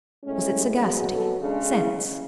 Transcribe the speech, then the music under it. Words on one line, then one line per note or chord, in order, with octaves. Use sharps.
Was it sagacity?--sense?
A2 G#3 C#4
B2 F#3 G#4
A4
C#3 G#3 D4
E4
C#3